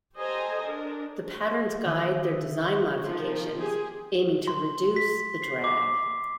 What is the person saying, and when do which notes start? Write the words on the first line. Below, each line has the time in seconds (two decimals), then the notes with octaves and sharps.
The patterns guide their design modifications, aiming to reduce the drag.
0.16 G4 A4 C5 D#5 G#5 A#5
0.65 D4 A#4
1.86 D#3 E5 D#6
3.06 D#3 F3 C6
3.58 G4 G#4
4.48 C6
4.96 B6
5.42 C7
5.64 D6